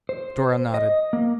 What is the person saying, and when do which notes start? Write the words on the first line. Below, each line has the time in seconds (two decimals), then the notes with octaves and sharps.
Dora nodded.
0.09 C5
0.74 D#5
1.13 A#3